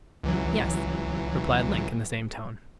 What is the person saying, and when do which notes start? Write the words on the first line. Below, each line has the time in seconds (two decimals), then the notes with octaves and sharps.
"Yes," replied Link in the same tone.
0.24 C#2 E3 F#3